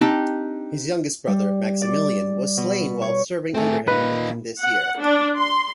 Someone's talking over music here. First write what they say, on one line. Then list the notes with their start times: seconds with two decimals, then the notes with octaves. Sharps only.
His youngest brother, Maximilian, was slain while serving under him in this year.
0.01 C4 D4 D#4 G4 G5 A5
1.27 G3
1.82 D5
2.57 B2
3.02 C#5
3.54 A3 C4 G#4
3.88 A#2 D#4 F4 B4
4.63 F#5
5.01 D4
5.39 C6